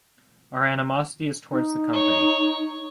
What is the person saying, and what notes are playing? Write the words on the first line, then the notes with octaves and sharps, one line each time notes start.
Our animosity is towards the company.
D#4
C#5